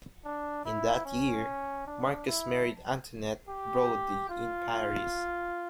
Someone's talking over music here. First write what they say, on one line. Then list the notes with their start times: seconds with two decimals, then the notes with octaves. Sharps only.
In that year, Marcus married Antoinette Brody in Paris.
0.25 D4
0.65 E4
1.05 C#4
1.87 D4
2.27 E4
3.48 G4
4.29 F4